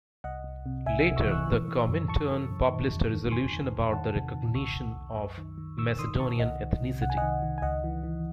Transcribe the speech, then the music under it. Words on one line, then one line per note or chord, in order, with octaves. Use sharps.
Later the Comintern published a resolution about the recognition of Macedonian ethnicity.
C2 D#5 F#5
C2
C3
C2 E5 G#5
E5 G#5
C3
C#6 E6
E3 F#6
C#6 E6
E3
E3
F#2
F#2 A5 C#6
F#2
F#2
D#3
E2
D#3
D#3 G#5 C6
D#3
E2
D#3 F#5 A5
C3
D#3
C2 C#6 E6
C2
C2
F#2
D#3
D#3
D#3 C#6 E6
E6
D#3 C6 D#6
D#3 A5 C#6
C2 D#5 F#5
D#3
C3
C2 F#5
G#5
D#3 D#5 F#5
D#3
G#5
C#2 D#5 F#5
E3
E3